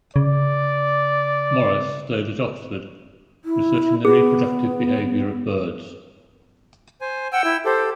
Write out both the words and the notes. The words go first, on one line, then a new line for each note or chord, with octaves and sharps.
Morris stayed at Oxford, researching the reproductive behaviour of birds.
C#3 D5
E4
B3 G#4
C5 G#5
F#5 G5 E6
E4
G4 A4 C5